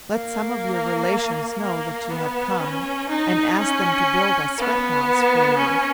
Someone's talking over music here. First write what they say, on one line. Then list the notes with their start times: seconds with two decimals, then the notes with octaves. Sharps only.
Let some of your relations know that you have come, and ask them to build a sweat-house for you.
0.12 A#3
1.61 A#3
2.11 B3
2.60 C#4
3.09 D#4
3.59 C#4
4.58 B3
5.57 C#4